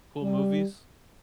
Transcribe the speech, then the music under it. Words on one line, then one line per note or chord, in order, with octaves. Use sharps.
Cool movies?
G3